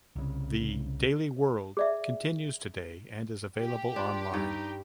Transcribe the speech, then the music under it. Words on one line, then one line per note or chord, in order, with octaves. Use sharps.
The "Daily World" continues today and is available online.
C2 C#3
G#4 D5 E5
G4
D4 F4
G2 D#4